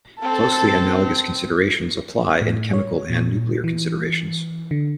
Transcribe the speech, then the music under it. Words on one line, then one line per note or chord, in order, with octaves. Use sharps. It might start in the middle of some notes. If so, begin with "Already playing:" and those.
Closely analogous considerations apply in chemical and nuclear considerations.
C4 A4
A2
C#5
A#2
E3
D3